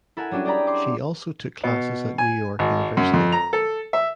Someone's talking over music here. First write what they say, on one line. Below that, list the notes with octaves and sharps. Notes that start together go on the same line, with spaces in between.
She also took classes at New York University.
E4 A4 A#4 F#5 G#5
F#3 G3 C#4 D4 F#4
G4 G#4 D5 G5 A#5 B5
C6 D6
B2
G#5
G#1
F#2
F2
A#5
A4
E5